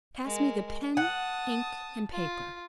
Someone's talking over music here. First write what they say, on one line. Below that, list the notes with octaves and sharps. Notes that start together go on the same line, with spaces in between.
"Pass me the pen, ink, and paper."
G#3 A#4
F#5 A5 D#6
F4